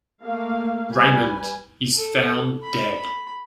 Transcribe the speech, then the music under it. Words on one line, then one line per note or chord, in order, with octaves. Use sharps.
Raymond is found dead.
A3 A#3 F5
G3 B4 G#5
A4
B5
B5